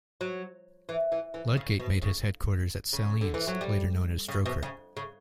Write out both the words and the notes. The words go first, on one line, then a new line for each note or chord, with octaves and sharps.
Ludgate made his headquarters at Salines, later known as Drocourt.
F#3
E3
E3
E3
C#3
B2
C#3
C#3
D3
E3
F#3
G3
C#3
B2
C#3
C#3